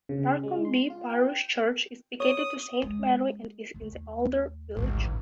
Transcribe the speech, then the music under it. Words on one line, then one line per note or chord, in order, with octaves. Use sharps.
Barcombe parish church is dedicated to Saint Mary, and is in the older village.
C#3
G#3
C6
F4
G5
C#5 D#6
G#3
D#2 A3
A1 D2 G#2